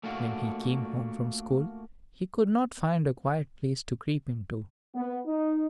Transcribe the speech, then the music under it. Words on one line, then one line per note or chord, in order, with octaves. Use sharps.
When he came home from school, he could not find a quiet place to creep into.
A3 A#3 D4 F4 F#4
B3
D#4